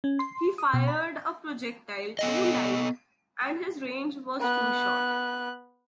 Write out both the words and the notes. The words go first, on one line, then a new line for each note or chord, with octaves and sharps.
He fired a projectile too light and his range was too short.
C#4
C6
D#6
B2
B5
B3 A4 D#5
B3 F#6